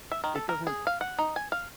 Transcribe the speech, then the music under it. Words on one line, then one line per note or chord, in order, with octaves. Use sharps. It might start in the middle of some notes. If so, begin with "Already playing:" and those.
it doesn't
E5
D#3
A4
A#4
G#4
F5
F#5
D#4
G#5
F5